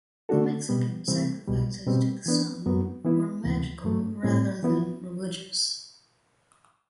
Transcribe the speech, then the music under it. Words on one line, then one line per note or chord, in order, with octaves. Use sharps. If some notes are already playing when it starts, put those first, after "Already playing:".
The Mexican sacrifices to the sun were magical rather than religious.
D3 A3 D4 F#4 A4
B2 G3 B3
C3 E3 G3 C4
C2 B2 G3
B2 G3 C4
E3 B3 D4
F#2 F#3 B3 F#4
E3 B3 E4
D2 C3 E3
G2 F#3 A3
A2 G3 C4
E3 B3 E4